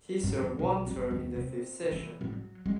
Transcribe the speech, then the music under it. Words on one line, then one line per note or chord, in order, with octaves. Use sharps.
He served one term in the Fifth Session.
G#2
E2
B1
G1
D#2
C3
E3
A2
F#3
G#3